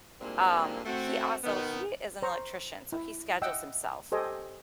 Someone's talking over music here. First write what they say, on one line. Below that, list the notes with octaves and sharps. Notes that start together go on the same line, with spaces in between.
um, he also he is an electrician, so he schedules himself.
G2 A#2 G#3 A#3 C4 E4
A3 C4 F#4
B2 D#3 B3
C5 A#5 C#6
E4
D#5 E5 F#5 G5 E6
G4 A4 C5 D#5 G5 G#5